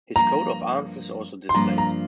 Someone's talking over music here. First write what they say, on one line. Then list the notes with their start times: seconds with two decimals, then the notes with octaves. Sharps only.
His coat of arms is also displayed.
0.16 G2 F3 A#3 A#5
1.49 C6
1.54 G2 F3 A#3 F4 A#5
1.78 A#5